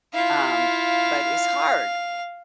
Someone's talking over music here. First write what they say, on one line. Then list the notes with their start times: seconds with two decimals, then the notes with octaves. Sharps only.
um, but it's hard,
0.13 E4 F4 F5